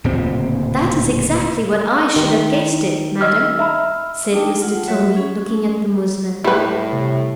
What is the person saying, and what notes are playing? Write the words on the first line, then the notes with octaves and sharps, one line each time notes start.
"That is exactly what I should have guessed it, madam," said Mr. Tilney, looking at the muslin.
D1 A#2 C#3 C4
D#3 G4 C6
D#4 D#5 C6 E6 F6
E5 A#5 B5
D4 D#4 G5 A5
F4 F#5
F#3 F#4 C#5 E5
C#4 G#4
A2 G3 E4 B4
C3